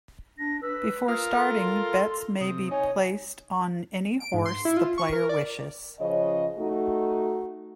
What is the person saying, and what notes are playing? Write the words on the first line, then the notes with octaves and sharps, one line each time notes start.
Before starting, bets may be placed on any horse the player wishes.
D4 A#6
B4 E6
F4 A#4 F5 D#6
A4 C6
C3 D#6
D#4 C#5 G#5
D7
G#2
C6
E4
F4
C#6
A#4
D5
C#3 F3 C#5 D#5
A3 D#4 F#4